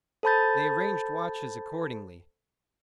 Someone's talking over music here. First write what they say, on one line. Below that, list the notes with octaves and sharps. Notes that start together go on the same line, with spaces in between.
They arranged watches accordingly.
A4 C5 A5 B5 G6 A6